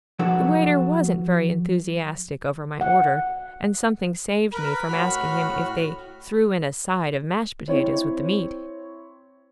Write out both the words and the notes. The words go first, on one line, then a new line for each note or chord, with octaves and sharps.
The waiter wasn't very enthusiastic over my order, and something saved me from asking him if they threw in "a side" of mashed potatoes with the meat.
F3 F#3 D4 F#4 A4 B4
F#5
A#4 B4 B5
A2 F#4 F6
C4 E4 C#5